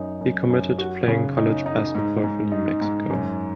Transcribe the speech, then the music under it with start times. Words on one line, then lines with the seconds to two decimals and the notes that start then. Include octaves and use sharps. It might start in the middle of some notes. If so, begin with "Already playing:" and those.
He committed to playing college basketball for New Mexico.
Already playing: F#2 D#4
0.21 F#2
0.50 F#2
0.79 F#4
1.08 C#3
1.37 D#4
1.66 D#4
1.95 G#2
2.24 G#2
2.52 D#4
2.81 G#2
3.11 F#2